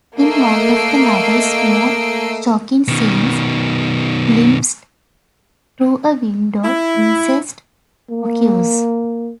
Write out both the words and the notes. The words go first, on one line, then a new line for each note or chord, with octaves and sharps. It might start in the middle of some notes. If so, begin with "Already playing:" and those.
In one of the novel's more shocking scenes, glimpsed through a window, incest occurs.
A3 A#3 D#5 E6 C7 D7
B2 D#3
E4
A#3